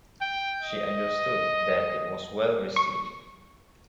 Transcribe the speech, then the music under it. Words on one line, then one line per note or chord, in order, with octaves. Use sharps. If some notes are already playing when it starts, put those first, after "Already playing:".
She understood that it was well received.
G5
D#5
C#6